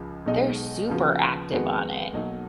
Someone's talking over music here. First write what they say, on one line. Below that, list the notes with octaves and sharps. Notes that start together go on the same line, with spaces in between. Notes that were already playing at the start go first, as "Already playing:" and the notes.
they're super active on it
Already playing: C#2 C#3 F3
B1 B2 G#3 D#4
D#2 C#3 F3 B3 F#4
F2 D#3 G#3 B3 F#4
B1 B2 F#3 A#3 D#4